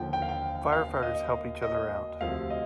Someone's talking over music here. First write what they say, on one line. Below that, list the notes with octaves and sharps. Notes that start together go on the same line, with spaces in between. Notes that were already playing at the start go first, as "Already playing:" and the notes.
Firefighters help each other out.
Already playing: D#2 D3 F3 G5
G5
F5
G5
F5
D#5
D#5
D2 C3 F3 F5
D#5